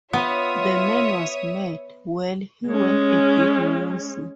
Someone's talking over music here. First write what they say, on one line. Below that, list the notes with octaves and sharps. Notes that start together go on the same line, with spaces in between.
The man was mad. Well, he went a bit woozy.
B3 F4 C#5 E5 D#6
G#3 C#4